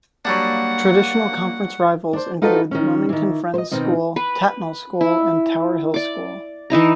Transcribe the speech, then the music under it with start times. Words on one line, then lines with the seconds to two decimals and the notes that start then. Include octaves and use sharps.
Traditional conference rivals include the Wilmington Friends School, Tatnall School, and Tower Hill School.
0.25 F#3 G3 A#3 D4 F#5
2.13 D4 C5
2.42 D#4 F4 F#4 A4 B4 D#5
2.71 D#3 C#4
3.09 D#3 E3
3.54 C5 D#5
3.71 B2 D#3 C4 D#4
4.16 B4
5.01 E4
5.94 D5 D6
6.70 E3 D#4 E4 A#5